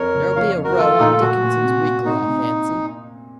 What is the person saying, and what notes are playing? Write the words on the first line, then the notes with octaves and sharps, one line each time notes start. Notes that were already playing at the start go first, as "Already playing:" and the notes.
There will be a row on Dickenson's Weekly, I fancy.'
Already playing: F2 A#4 C#5
F#1
F3 C#5 F5
F2
F#4 A#4
F3 F4 A4
A#2 D#4
F4
A#2 F#4
A#2
C3
C3
C3 D#4
C3